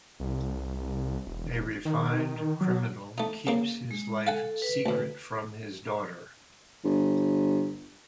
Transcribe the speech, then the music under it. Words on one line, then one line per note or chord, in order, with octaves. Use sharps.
A refined criminal keeps his life secret from his daughter.
C2
E1
D#3
F#3
A3 D#4
C#3 A#3
G#3
A4 F5 F#5 G#5
B4
D2 A2
G1